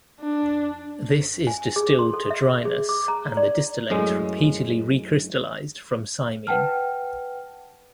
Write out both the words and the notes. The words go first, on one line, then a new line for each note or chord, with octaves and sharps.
This is distilled to dryness and the distillate repeatedly recrystallized from cymene.
D4
G#5
G#4
C6
A4
E5
G#4
D6
A#5
D5
F#2 A2 G#3
B4 F#5 G5 A5 F6